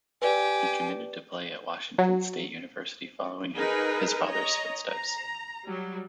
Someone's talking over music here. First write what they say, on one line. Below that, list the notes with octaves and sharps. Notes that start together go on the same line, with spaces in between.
He committed to play at Washington State University, following his father's footsteps.
G4 B4 D5 G#5
F#3
D#4 G#4 A#4 B4
C#5 D#5 A#5
A#5
F#3 G3